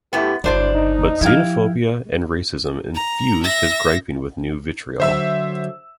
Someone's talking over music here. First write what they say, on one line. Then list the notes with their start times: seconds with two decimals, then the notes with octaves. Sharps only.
But xenophobia and racism infused his griping with new vitriol.
0.13 F#2 A3 B3 E4 G4
0.44 G1 C#3 F#3 D4 E4 C5 D5
0.74 D#4
1.21 F3 E4 G4 F5
2.95 A#5
3.44 E5 A#6
5.00 D3 F#3 C5 E5 E6